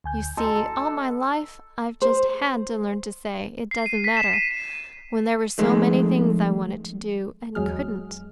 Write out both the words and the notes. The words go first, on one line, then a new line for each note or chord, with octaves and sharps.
You see--all my life I've just HAD to learn to say 'It doesn't matter,' when there were so many things I wanted to do, and couldn't.
D2 G#5 G6
A4 D#5 A#5 C6
C5
C7
D#7
B6
E7
D#7
F2 D#3 G#3 A3
E2 F#3 G#3 G#4 F6